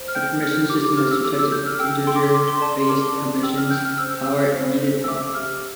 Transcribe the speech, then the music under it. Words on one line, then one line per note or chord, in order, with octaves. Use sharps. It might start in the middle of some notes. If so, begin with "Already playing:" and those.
The permissions system has two types of integer-based permissions: Power and Needed Power.
Already playing: C5
F6
G5 G6
A#4 F6
G4 D6
D6
G4 F6
E6
A4 D6
E6
A4 G6
F6
G5 E6
G5 C6
D6
C6
A4 D6
C6
D5 A5
C6
A#4 D6
D5
G5 E6
F6
G5 G6
F6
C5 E6
F5
C5
C5
E6
E5 D6
G4 F6